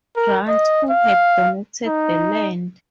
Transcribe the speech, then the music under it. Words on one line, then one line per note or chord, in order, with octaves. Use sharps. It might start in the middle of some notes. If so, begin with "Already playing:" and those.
Grant, who had donated the land.
A#4
D#5
F5
D#4